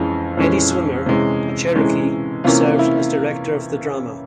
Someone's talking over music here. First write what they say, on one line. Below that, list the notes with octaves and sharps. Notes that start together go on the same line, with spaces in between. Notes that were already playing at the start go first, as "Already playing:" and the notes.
Eddie Swimmer, a Cherokee, serves as director of the drama.
Already playing: F2 E3 G#3 C#4 F4 G#4
F2 E3 G#3 C#4
C3 E3 G#3 C#4
C3 E3 G#3 C#4
C3 E3 A#3 C#4 F4
E4